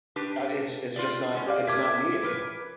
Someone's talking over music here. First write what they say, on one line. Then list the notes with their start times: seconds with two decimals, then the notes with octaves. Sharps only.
"Uh, it's it's just not it's not me anymore."
0.16 D4 G4 B4
0.96 F4 B4 D5
1.33 A2 G#3 C#4
1.47 G4 D5 F5
1.67 A3 A#4 B4 D6 G#6 B6
2.23 E4 A#4 B4